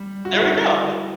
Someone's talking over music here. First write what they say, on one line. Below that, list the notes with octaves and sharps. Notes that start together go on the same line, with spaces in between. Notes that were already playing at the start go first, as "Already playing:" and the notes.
There we go.
Already playing: G3
F#4
E4
F#4